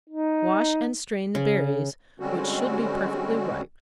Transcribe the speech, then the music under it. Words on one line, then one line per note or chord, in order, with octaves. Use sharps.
Wash and strain the berries, which should be perfectly ripe.
D#4
C#3
D3 G3 G#3 C4 C#4 F#4